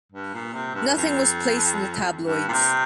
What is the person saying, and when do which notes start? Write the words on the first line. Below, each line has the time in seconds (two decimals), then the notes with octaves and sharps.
Nothing was placed in the tabloids.
0.12 G2
0.34 A#2
0.54 C3
0.74 G2
0.87 G2
0.96 F2
2.21 G2
2.48 A#2
2.52 C3